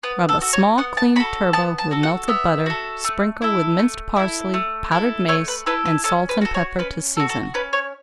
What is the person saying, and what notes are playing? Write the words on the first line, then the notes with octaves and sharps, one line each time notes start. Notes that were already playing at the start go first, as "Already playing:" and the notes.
Rub a small cleaned turbot with melted butter, sprinkle with minced parsley, powdered mace, and salt and pepper to season.
B3 B4
A4
F#4 A4
C#5
B3 F#5
A5
F#4 A4 B5
B3 A5
A5
F#4 A4
F#5
B3 E5
F#4 A4
A3
E4 A4
A3
E4 A4
A3
E4 A4
A3 C#5
B4
E4 A4 B4
B4
C#4 A4
B4
F#4 A4
C#5
C#4 B4
F#4 A4
A4
C#4 B4
C#5